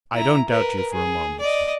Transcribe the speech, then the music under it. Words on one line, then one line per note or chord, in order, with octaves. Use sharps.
"I don't doubt you for a moment, sir!"
E4 A#5
A#4 B4
G#4
D5 D#5